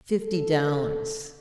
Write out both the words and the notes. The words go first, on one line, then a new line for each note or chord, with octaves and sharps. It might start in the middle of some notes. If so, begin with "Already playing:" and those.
"Fifty dollars."
A4